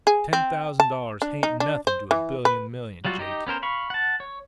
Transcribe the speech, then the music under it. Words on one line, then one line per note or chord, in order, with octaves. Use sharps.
"Ten thousand dollars hain't nothin' to a billion million, Jake."
G#4
C4
A5
D4
D#4
D4
C5
E3
B4
F#3 G3 F4 F#4
D#4 G4 D#5
B3 C#4 A#4 C5
F5 B5 C#6
F#5 A5
C#5